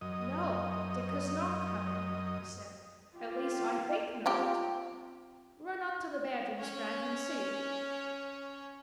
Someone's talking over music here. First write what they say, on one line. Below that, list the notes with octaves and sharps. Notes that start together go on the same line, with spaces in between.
"No, Dick has not come in," he said, "at least, I think not. Run up to the bedrooms, Frank, and see."
F#2 D#5
F4 G4
F3 C4 G4
C#4 C#5